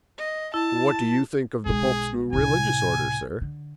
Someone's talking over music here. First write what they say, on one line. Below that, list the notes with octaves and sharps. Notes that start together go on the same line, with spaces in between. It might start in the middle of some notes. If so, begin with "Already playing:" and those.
"What do you think of the Pope's new Religious Order, sir?"
D#5
E4 A5
B1 G#3 G#4
C2 A2 G#5
D3